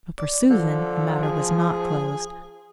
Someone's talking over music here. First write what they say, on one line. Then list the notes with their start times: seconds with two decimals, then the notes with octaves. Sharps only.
But for Susan the matter was not closed.
0.18 D5
0.50 D3 F3
1.23 G#4